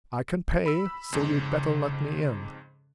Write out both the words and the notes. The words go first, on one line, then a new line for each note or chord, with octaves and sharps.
I can pay; so you'd better let me in.'
B5 E6
F2 G#2 C#3